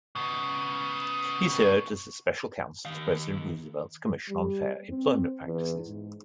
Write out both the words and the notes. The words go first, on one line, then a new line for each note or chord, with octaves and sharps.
He served as a Special Counsel to President Roosevelt's Commission on Fair Employment Practices.
C#3 B3
D#3 F5
G3
C4
E2
G#2